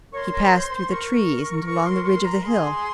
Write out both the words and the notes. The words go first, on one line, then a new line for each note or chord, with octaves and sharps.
He passed through the trees and along the ridge of the hill.
A#4 C#5 C#6
C6
A#4 C#5
C5
C5
A#4 C#6
C#6
C6
C#6
C6
A#5
G#4 C6